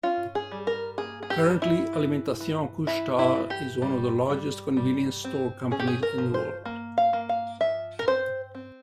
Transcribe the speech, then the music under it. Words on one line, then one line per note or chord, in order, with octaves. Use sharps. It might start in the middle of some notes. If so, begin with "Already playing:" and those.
Currently Alimentation Couche-Tard is one of the largest convenience store companies in the world.
C#4 F4
G#4
G3
A#4
A#3 G#4
G#4
G4
G3
E4
E3
E3
E3 E4
E4
E3
G4
G3
G3
G3
C4
C#4 G#4
G4
G#4
A#4
F3
C5
A#3
F5
A#3
F5
F3 E5
A#4
C4 C5
C4